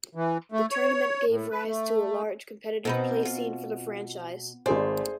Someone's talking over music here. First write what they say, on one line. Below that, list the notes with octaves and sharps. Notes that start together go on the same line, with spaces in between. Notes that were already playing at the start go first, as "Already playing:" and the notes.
The tournament gave rise to a large competitive play scene for the franchise.
E3
A3
C#5
A2
B4
A3
B2 C4 D#4 B4
F4
G#1 A3 G#4 C5 D5 G#5